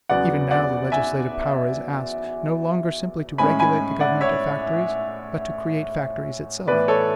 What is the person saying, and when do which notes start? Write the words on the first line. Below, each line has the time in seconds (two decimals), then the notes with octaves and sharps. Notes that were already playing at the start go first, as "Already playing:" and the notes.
Even now the legislative power is asked, no longer simply to regulate the government of factories, but to create factories itself.
0.09 E2 C#3 F#3 B3 D5 F#5
0.51 D5 F#5
0.92 E5 G#5
3.38 A2 G#3 C#4 G#5 B5
3.60 G#5 B5
4.00 D5 F#5
4.21 C#5 E5
6.68 A2 E3 B3 B4 D5
6.88 A4 C#5